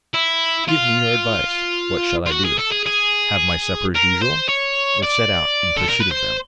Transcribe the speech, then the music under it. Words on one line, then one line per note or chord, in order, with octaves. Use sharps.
'Give me your advice; what shall I do--have my supper as usual, or set out in pursuit of them?'
E4
F4
F4
F#4
G#4
A4
G#4
G#4
A#4
C5
C#5
D5
A4
A#4
B4
C5